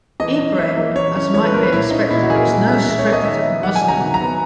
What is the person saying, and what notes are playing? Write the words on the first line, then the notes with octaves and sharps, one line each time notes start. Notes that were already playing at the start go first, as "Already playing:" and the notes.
Ibrahim, as might be expected, was no strict Muslim.
E3 D#5
C#4
E3 E5
A#3
E3 C#5
C#4
E3 C#5
B4
A#3 A#4
B4
A#2 E4
C#4 D#4
A#2 E4
F#4
A#3 G#4
A#4
A#2
C#4 E5
A#2 E5
C#5
A#3
D#5
D#3 E5
B3
D#3 F#5
G#5
F#3
A#5
D#3
A#5
B3